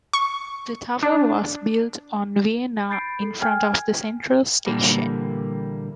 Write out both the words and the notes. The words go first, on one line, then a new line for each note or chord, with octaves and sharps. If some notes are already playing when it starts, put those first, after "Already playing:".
The tower was built on Weena in front of the Central station.
C#6
D4
B5 G6 A6 C7 D7
A4
G5 G#5 F6 G#6
A#2 D3 E3 G3 A#3